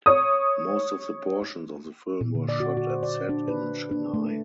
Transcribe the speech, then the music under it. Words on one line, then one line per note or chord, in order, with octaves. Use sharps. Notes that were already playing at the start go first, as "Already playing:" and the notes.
Most of the portions of the film were shot and set in Chennai.
C#5 D#6
A#2
D3
D5
F#4
F#4
C5
D5
D4
B4
D4
A3